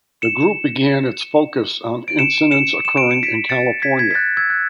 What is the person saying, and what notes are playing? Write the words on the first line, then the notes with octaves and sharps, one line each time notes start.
The group began its focus on incidents occurring in California.
C#7 E7
D7
C#7 E7
C#7 E7
E7
D7
C#7
B6 D7
A6 C#7
G#6 B6
G#6 B6
B6
F#6 A6
E6 G#6
F#6